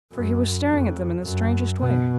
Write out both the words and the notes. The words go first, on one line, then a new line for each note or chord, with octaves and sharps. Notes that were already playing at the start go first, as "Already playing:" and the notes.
For, he was staring at them in the strangest way.
F#2
F2
F#2
B2